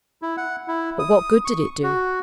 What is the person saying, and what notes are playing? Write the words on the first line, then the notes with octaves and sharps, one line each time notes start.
But what good did it do?
E4
F#5
E4
D#6
C#6
F#4